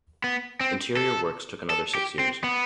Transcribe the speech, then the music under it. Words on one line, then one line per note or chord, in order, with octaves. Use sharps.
Interior works took another six years.
B3
C4
A4
A4
G4
C4
B3